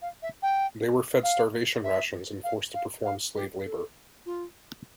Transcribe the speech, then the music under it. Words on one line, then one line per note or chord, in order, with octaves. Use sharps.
They were fed starvation rations and forced to perform slave labor.
F5
E5
G5
F5
E5
F5
F5
F5
G4
A4
F4